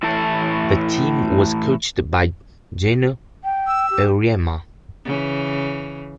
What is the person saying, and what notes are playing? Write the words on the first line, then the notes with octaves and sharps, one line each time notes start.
The team was coached by Geno Auriemma.
A2 E3 E4 A4 C#5 A5
G5
E6
G4
C#3 E3